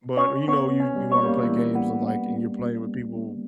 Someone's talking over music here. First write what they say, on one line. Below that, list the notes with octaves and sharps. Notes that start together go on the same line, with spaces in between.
But you know, you you wanna play games or like, and you're playing with people
C#4 C#5
B3 C#5
C#4
G3
A#3 C#5
G3
A#3
E3
B3
B3